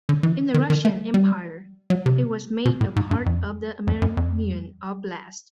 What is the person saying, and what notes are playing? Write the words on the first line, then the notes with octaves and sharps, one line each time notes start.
In the Russian Empire it was made a part of the Armenian Oblast.
D3
E3
D#3
D#3
A3
G3
F#3
C3
B2
A2
G#2
G2
F2
F2
F#2
F2